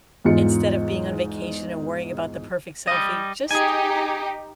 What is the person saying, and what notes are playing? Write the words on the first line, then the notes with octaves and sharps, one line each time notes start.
instead of being on vacation and worrying about the perfect selfie, just,
E2 G#2 F4 C#7
G3 D#5
D#4 G4 G#4 G#5